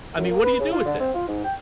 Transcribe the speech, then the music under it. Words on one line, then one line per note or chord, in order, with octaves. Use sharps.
I mean, what do you do with that?
F#2
A#3
B4
C#3
F4
D3
C4
F4
G#2
G5